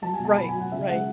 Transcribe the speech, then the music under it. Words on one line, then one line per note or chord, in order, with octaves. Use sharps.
Ye right, right.
F#3 A5
G#5
B2
A5
F#3 B5
G#5
F#3
F#5
C#3 E5
G#3 F#5